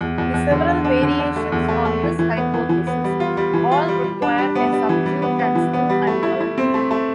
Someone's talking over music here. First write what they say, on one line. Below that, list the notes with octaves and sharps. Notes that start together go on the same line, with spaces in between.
The several variations on this hypothesis all require a subdued and still animal.
E2
E2
E2
D3
D4
D4
D3
D4
A3
E2
A3
A3
E3
E3
B3
E3
E3
B3
G3
F4
G3
E3
F4
G3
G3
D4
G3
B3
G3
E3
G3
B3
B3
E3
B3
G3
A3
E4
E4
C4
A3
A3